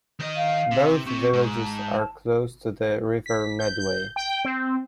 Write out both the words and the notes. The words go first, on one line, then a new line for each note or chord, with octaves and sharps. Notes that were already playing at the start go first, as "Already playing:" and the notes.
Both villages are close to the River Medway.
D#3 D#5
F5
C3
C3 C#6
G#2
A5
B6
G6
G6
G5
C4